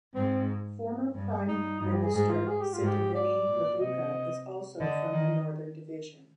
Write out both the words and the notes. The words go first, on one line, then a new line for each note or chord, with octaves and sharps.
Former Prime Minister Sitiveni Rabuka is also from the Northern Division.
G#2 C4
G2
G2 D#4
G2 D#4
G4
G#4
G#2 G#4
F4
G#4
G4
F4
G#2
G4
D5
A#2
C3 D#5
D3 D#5
D#3